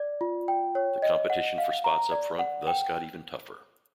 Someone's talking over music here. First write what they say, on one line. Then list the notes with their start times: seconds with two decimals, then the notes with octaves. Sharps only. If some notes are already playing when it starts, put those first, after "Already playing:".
The competition for spots up front thus got even tougher.
Already playing: D5
0.21 F4
0.48 G5
0.75 C#5
1.02 D#5
1.30 F#5
1.58 F5
1.84 A#5
2.12 D5
2.39 F#5
2.67 G5